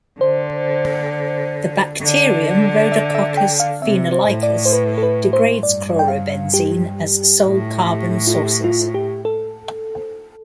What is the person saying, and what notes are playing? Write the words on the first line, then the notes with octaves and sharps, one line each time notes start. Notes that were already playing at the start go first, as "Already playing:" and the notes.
The bacterium "Rhodococcus phenolicus" degrades chlorobenzene as sole carbon sources.
D3 C5
D3
E5
E5
G5
F5
C3 E5
C5
A2
D5
C5
B4
A4
B4
C5
G2 D5
G5
F5
G4
A2
F4
G4
F4
G4
A4